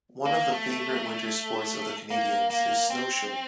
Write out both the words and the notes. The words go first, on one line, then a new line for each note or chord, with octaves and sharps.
One of the favorite winter sports of the Canadians is snowshoeing.
A#3
A3
A#3
A#3
C4